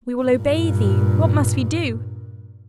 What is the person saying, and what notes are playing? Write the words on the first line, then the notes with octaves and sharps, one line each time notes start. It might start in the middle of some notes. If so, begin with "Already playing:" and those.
We will obey thee, what must we do?
G2 A#2